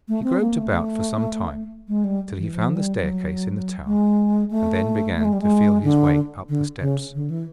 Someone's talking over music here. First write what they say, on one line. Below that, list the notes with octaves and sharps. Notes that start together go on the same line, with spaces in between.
He groped about for some time, till he found the staircase in the tower, and then began to feel his way up the steps.
A3
C4
A#3
A3
G#3
G3
E3
F3
G3
F#3
G#3
A3
A3
G#3
G3
G#3
D3
D3
C#3
D3
E3